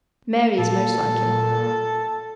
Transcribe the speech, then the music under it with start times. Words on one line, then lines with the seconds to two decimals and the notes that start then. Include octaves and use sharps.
Mary is most like him.
0.58 A#2 A4